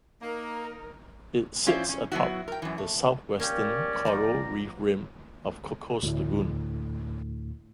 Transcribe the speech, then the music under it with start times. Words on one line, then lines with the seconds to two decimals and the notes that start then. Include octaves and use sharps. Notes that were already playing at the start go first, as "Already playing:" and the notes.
It sits atop the southwestern coral reef rim of Cocos Lagoon.
0.22 A#3 D#4 A#4
1.66 F3 C#4 E4 F4 C5 D5
1.89 C#4
2.12 F#3 B3 E4 F#4
2.48 A#4 G5
2.62 F#2 E3
2.78 A3
3.40 A#3 C#4 G4 D5
4.05 F3 B3 D#4 A#5
6.03 D2 A2